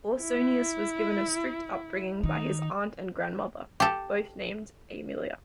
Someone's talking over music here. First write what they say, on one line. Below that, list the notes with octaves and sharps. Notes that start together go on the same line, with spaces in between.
Ausonius was given a strict upbringing by his aunt and grandmother, both named Aemilia.
E4
D#3 D#4
G4 A4